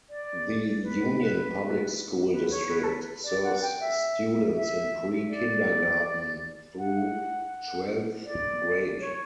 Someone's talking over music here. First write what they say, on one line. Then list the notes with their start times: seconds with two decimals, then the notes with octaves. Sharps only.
The Union Public School District serves students in pre-kindergarten through twelfth grade.
0.09 D5
0.83 B4
2.32 B4
2.50 C#5
2.68 B4
2.83 A4
2.87 B4
3.24 D5
3.43 F#5
3.62 G5
3.80 E5
4.55 E5
5.29 D5
6.77 F#5
8.25 D5
8.99 C#5